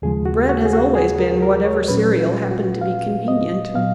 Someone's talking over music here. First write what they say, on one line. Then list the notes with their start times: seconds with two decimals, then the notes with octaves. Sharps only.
Bread has always been whatever cereal happened to be convenient.
0.02 D#2 C#3 F3 G#3 G#4
0.26 F#4
0.49 F#4
0.65 G#4
0.73 F#4
0.95 G#4
1.19 A#4
1.42 A#4
1.65 C#5
1.88 A#2 F#3 C#4 B4
2.20 F4
2.51 F#4
2.81 F5
3.28 D#5
3.74 A#2 F#3 B3 F5